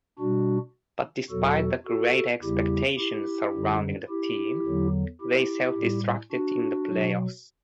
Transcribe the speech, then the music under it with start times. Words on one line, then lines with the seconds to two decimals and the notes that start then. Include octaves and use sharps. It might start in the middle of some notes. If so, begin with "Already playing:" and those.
But despite the great expectations surrounding the team, they self-destructed in the playoffs.
0.19 B2 G3 D4 F#4
1.30 E2 B2 F#3 F#4 A4
1.86 F#4 A4
2.42 E2 C#3 G3 E4 G4
2.98 E4 G4
3.54 F#2 D3 G3
4.09 E4 G4
4.66 E2 D3 F#3
5.21 E4 G4
5.77 A2 G3
6.32 D4 F#4
6.88 F#3
6.93 B2